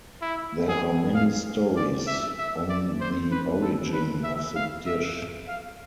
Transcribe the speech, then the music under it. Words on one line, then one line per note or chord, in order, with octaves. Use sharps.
There are many stories on the origin of the dish.
E4
G#4
F5
D5
E5
E5
D5
C5
B4
A4
B4
E5
F5
E5
F5